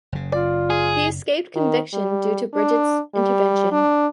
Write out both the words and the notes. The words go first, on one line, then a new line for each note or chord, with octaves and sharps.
He escaped conviction due to Bridget's intervention.
F#1 C#3
F4 D5
G#4
D#3
G3
D4
G3
D4